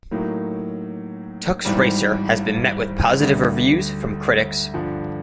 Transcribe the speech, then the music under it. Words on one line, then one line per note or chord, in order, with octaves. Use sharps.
"Tux Racer" has been met with positive reviews from critics.
A2 F#3 A#3 D#4
G#1 G#2 E3 G3
D2 D3 G3
G2 D3 F3